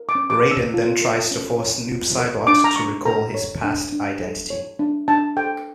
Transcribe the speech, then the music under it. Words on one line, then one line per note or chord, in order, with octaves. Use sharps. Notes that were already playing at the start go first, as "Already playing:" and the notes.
Raiden then tries to force Noob Saibot to recall his past identity.
Already playing: A#4
D6
C#4
D6
C#5
E6
F4
A#4
C#4
C#5
F4
A#4
D4 D6
A#5
D4 C#6
A4 A#5
C#5
D4
D4
A4
C#5
D4
D4 A5
A4 G5